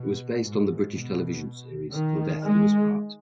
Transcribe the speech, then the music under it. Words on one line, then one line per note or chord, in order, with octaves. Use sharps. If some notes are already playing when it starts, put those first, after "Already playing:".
It was based on the British television series Till Death Us Do Part.
Already playing: B2
G#2
B2
D#3
G#3